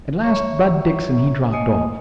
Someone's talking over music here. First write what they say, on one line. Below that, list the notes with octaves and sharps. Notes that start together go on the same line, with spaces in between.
At last Bud Dixon he dropped off.
C#5 E5 A#5 C#6
A3 A#3 D#5 G#5 D#6